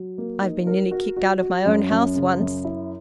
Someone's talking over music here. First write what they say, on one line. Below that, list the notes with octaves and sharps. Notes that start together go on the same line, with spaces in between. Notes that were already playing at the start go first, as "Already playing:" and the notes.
I've been nearly kicked out of my own house once.
Already playing: F#3
A#3
D#4
A#4
F#4
F#4
F#4
F#2
F#2
C#3
F#2
E4